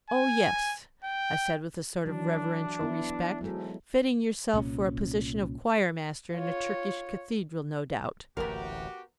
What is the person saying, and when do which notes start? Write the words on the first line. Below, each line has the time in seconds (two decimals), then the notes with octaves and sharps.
"Oh, yes," I said with a sort of reverential respect, "fitting yourself for a position of choir-master in a Turkish cathedral, no doubt."
0.10 G#5
1.04 G5
2.06 E3 F#3 D4
2.81 B3 E4
3.41 G#1 D2 G#2 F#3 G#3 A4
4.53 C2 A#2 C#4
6.34 F4 C#5
8.37 D1 A1 A#2 B3 F#4 G4 A#4